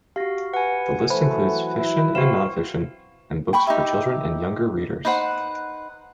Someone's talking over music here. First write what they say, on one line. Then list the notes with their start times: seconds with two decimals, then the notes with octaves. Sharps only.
The list includes fiction and non-fiction, and books for children and younger readers.
0.16 F#4 G4 F5 A#6
0.54 B4 F#5 G#5
1.10 E3 F#3 A3 B4 C5 E5 B5
1.75 E4
2.15 C4 F#4 F5 E7
3.53 G5 B5 C#6
3.67 D#4 G4 E5
5.05 D#4 B4 C5 F#5